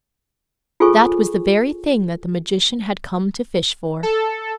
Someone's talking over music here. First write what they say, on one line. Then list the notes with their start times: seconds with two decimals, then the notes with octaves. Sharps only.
That was the very thing that the magician had come to fish for.
0.80 F4 G#4 A4 C5 G#5 C#6
4.03 A4